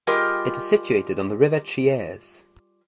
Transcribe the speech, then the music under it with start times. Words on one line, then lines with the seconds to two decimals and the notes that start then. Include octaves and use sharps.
It is situated on the river Chiese.
0.07 G3 F4 G4 G#4 A#4 D#5